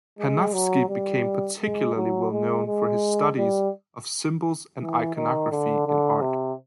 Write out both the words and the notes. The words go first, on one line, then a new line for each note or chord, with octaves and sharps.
Panofsky became particularly well known for his studies of symbols and iconography in art.
G#3
F#3
G3
G#3
F#3
G#3
G#3
G3
E3
D#3
D3
D3
C3